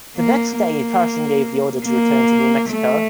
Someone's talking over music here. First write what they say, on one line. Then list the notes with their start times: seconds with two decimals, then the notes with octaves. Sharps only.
The next day Carson gave the order to return to New Mexico.
0.16 A#3
0.58 A#3
1.85 A#3
2.70 A3